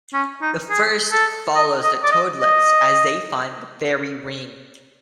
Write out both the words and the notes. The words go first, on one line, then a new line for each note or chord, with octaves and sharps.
The first follows the Toadlets as they find the Fairy Ring.
C#4
D#4
G#4
A4
D#5
D#5
D5
D#5
D#5